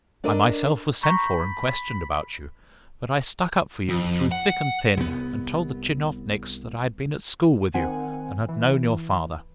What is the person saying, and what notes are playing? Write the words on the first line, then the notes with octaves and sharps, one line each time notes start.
I myself was sent for and questioned about you, but I stuck up for you through thick and thin, and told the tchinovniks that I had been at school with you, and had known your father.
D4 A4 A#4 D#5
A#5 B5 C#6 G6
F2
F#5
C2 B3
D#3 C4 F#5 G#5
E3